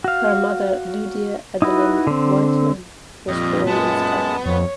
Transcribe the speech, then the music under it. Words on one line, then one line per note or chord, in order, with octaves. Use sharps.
Her mother Lydia Adeline Wightman was born in Scotland.
F#4 F5
D#4 E4 F#4 B4
D3 C4
F2 A#2 G3 F4 D#5
F#2 G#3 B3 A5
F2 C#5